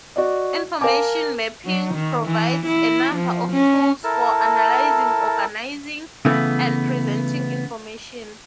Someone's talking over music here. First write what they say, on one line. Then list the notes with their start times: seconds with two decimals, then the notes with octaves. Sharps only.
Information mapping provides a number of tools for analyzing, organizing and presenting information.
0.16 F#4 D5 D#5
0.81 A#4 F5 G#5 A5 D6
1.65 F#3
1.95 D#3
2.26 E3
2.67 E4
3.16 F3
3.52 C#4
4.04 E4 A4 A#4 A5
6.25 C#3 E3 A3 B3